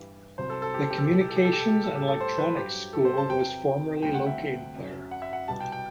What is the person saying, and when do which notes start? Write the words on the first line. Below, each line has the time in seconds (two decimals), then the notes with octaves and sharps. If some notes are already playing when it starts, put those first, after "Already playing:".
The Communications and Electronics School was formerly located there.
Already playing: G2 E3 G3
0.38 C2 C3 F#3 C5
0.50 A4
0.62 A4
0.74 G4
0.82 A4
0.90 G4
0.98 A4
1.06 G4
1.11 C2 B2 G3 A4
1.21 G4
1.29 A4
1.36 G4
1.45 A4
1.53 G4
1.61 A4
1.68 G4
1.84 A2 G3 A4
1.95 G4
2.08 A4
2.21 C5
2.38 B4
2.57 G2 F#3 G4
2.93 A4
3.05 C5
3.18 A5
3.30 E2 C3 F#3 G5
4.02 D2 C3 G3 G5
4.14 F#5
4.26 E5
4.75 F#2 F#3
5.11 F#5
5.22 E5
5.33 F#5
5.48 C2 B2 G3 A5
5.61 G5
5.72 G5